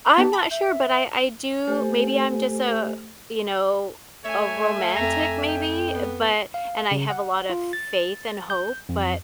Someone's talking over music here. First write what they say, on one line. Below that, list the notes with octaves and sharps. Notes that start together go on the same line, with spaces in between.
I'm not sure, but I I do maybe I'm just a, you know, a romantic maybe, but and I have a lot of faith and hope, but
B3 D#4 B4 A5
B5
E5 G6
A3 G4 A4 C5 G#5
A3 C#5 E5 G#5
F2 A#5
G5
B3
F5
C#3
F#5
F4
A6
G6
F2